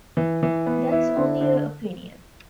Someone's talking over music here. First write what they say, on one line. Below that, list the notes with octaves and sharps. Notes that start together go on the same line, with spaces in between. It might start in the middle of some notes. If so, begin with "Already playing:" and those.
That's only your opinion.
E3
E3
B3
E4
D3
D3